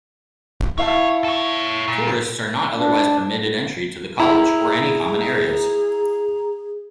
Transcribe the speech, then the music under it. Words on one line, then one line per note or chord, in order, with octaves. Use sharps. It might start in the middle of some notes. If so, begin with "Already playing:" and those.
Tourists are not otherwise permitted entry to the college or any common areas.
E4 C#5 F5 A5
A4 C#5
A#2
D4
E4 G#4 A#5